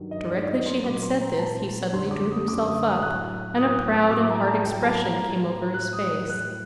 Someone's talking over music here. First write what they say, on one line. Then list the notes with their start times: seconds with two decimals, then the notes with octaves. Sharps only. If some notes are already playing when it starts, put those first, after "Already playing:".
But directly she had said this he suddenly drew himself up, and a proud and hard expression came over his face.
Already playing: G2 D#3 F#3
0.11 D#5
0.29 G2 D#3 F#3 D5
0.48 D#5
0.66 C6
0.84 A#2 F#3 D6
1.03 C6
1.21 A#5
1.39 A#2 F#3 A5
1.93 F#2 D3 G3 C6
2.11 D6
2.30 D#6
2.48 F#2 D3 G3 D6
2.66 D#6
2.84 D#6
3.02 A2 F#3 F#6
3.56 A2 F#3 D#6
4.11 A2 F#3 D6
4.30 A#5
4.47 A5
4.66 A2 F#3 G5
4.84 A5
5.01 A#5
5.20 A2 F#3
5.74 A2 F#3 F#6
5.93 D#6
6.29 A2 G3 F#6